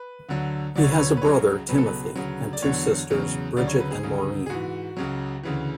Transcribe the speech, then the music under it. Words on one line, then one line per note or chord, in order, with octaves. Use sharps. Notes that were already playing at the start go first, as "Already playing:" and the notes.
He has a brother, Timothy, and two sisters, Bridget and Maureen.
Already playing: B4
D2 D3 F#3
D2 D3 F#3 D5
C#5
B4
C#5
B4
C#2 C#3 F#3 C#5
C#2 B2 F#3 B4
A4
B4
D2 C#3 F#3
D5
E2 D3 F#3 C#5
E2 C#3 F#3
D2 C#3 F#3 D5
C#5
B4
G#4
D2 C#3 F#3
G#4
G#2 E3 F#4
C#2 C#3 F#3
D2 C#3 E3